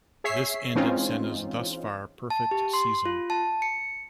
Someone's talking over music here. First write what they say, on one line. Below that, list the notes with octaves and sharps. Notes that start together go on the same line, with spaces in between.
This ended Senna's thus far perfect season.
G#4 C#5 E5 B6 C7
E3 G#3 C4 C#4 D#4 F4
A5
G4
C6
F4
A5
C#7